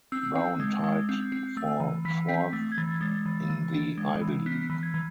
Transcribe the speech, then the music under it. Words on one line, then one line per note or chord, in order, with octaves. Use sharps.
Brown tied for fourth in the Ivy League.
C4 E6
C4
G#3
G#3
C4
C4
A3 E6
E3
E3 B6
C4 B6
A3
G#6
E3 A6
G#3 A6
E3
E3
D4
G#3
E3
B3 B6
E3
G#6
E3